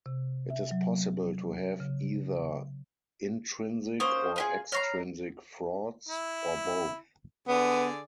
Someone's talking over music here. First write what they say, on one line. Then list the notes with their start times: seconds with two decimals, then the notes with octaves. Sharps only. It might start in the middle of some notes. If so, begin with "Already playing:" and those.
It is possible to have either intrinsic or extrinsic frauds, or both.
0.06 C3
0.50 E5
0.71 F#3
1.80 C#3
4.00 A#3 C#4 C5 D#6
4.36 F4 G4 G#4
4.72 C#5 A#5 C#6 F6 A#6 C7
6.09 E4
7.48 D3 B3 G#4 D5